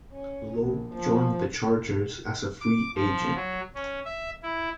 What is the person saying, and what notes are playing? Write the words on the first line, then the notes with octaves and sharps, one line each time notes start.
Lowe joined the Chargers as a free agent.
C#4
A#1
F3
D6
F3
F#3
C#4
E5
E4